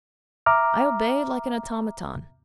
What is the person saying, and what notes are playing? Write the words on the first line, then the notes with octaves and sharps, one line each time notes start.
I obeyed like an automaton.
E5 A#5 D6 F6